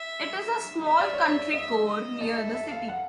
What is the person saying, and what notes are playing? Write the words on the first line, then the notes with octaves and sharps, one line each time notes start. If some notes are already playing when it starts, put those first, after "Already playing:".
It is a small country core near the city.
Already playing: E5
D#5 E5
D5
C#5
D5
D#5 E5
D#5
A4 D#5
E5
E5
F5
F#5